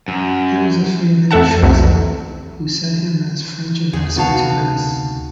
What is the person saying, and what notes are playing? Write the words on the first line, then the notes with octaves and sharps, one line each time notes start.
He was a favourite of Choiseul, who sent him as French ambassador to Venice.
F#2
F2 A3 A4 E5 F#5 A5
C2 F2 F#3 A3
E2 G#4
D2 C3 D#3 B3 F#4 F5 A5